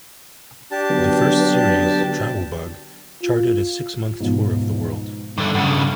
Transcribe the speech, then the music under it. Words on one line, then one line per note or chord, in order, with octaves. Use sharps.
The first series, "Travel Bug", charted a six-month tour of the world.
D4 G4 A5
D3 F#3 B3
F4
G#2 B2 F3
G2 D3
G2 C#3 F#5 C#7